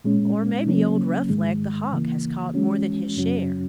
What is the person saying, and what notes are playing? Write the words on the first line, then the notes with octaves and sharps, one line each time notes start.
Or maybe old Rough-leg, the Hawk, has caught more than his share.
A#2 G#3 C#4
C#3 F#3 A#3 C#4
G#2 D#3 G#3
C#3 E3 A#3
E3 G#3 C#4 F#4
F#2 C#3 F#3 C#4 F#4